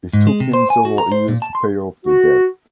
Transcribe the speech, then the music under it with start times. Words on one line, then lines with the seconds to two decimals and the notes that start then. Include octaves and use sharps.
It took him several years to pay off the debt.
0.13 G#2
0.27 G#3
0.40 C3
0.53 C5
0.70 G#5
0.85 F#4
0.98 A#5
1.12 C5
1.28 A#2
1.42 A5
1.55 C6
2.05 F#4